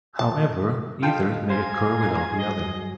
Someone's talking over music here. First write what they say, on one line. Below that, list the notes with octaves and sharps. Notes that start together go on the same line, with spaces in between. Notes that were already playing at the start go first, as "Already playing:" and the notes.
However, either may occur without the other.
A5
F4 A4 D#5 F5 G5 A5
G#4 C5 F5 A#5 C6 G#6
G2 F#3 D#5